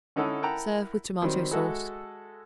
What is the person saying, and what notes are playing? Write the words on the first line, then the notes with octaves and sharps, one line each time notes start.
Serve with tomato-sauce.
D3 C#4 D#4 E4 A4 F#5
E4 A#4 F#5 G5 A5 A#5
D#3 F#3 G3 C4
G#3 F#4 A4 D#5 E5